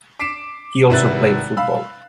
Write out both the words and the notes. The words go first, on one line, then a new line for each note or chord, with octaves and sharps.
He also played football.
D6 B6 C7 D7 E7
G#1 C3 E4 B4 F#6 A6
F5 B5 E6